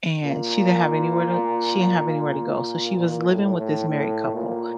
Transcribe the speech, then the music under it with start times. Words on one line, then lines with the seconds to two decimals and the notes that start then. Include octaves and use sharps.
and she didn't have anywhere to she didn't have anywhere to go. So, she was living with this married couple
0.25 A#2
2.98 A#2
3.28 A2
3.58 A2
3.89 A2
4.35 A#2